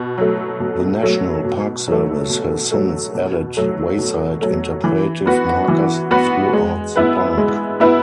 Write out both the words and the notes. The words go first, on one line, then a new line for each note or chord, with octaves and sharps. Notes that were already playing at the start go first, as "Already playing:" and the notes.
The National Park Service has since added wayside interpretive markers throughout the park.
Already playing: B2
F#3 A3
B2
F#3 A3
B2
F#3 A3
B2
F#3 A3
B2
F#3 A3
B2
F#3 A3
E3
B3 F#4 B4
E3
B3 F#4 B4
G#3
B3 E4 B4
G#3
B3 E4 B4